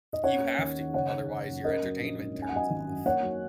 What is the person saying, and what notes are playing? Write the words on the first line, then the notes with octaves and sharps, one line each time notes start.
You have to, otherwise your entertainment turns off.
D#5
C#4 C#5 F#5
A#3
D#2
D#3
F#1 C#5 F#5
D#3
F#1
F#2
C#4 A#4 D#5
F#3
A#1
G#2
C#4
G#5
F#5
F#3 D#5 G#5
G#1
F#2
A#3 C#5 F#5
F#3